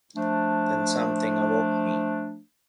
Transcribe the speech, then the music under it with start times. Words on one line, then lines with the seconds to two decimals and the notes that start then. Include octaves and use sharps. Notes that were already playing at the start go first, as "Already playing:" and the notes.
Then something awoke me.
0.16 F3 A3 D4